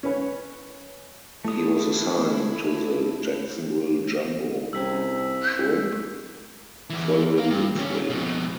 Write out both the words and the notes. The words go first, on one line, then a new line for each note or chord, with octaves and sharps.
He was assigned to the Jacksonville Jumbo Shrimp following the trade.
C#4 B4 C#5
A3 E4 D#6
C2 G3 C4 C#4 D#4 G#4 E6 B6
E2 E3
A#4 F5
G2
D#2 C#4
F2 B2